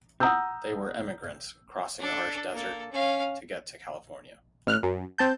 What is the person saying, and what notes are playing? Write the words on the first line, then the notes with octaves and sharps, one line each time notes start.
They were emigrants crossing the harsh Desert to get to California.
F#5 A#5 D#6 E6 G6
D4 A4
A#3 A4
C#4 F5
A1 F6 F#6
F#2
C4 A5 G6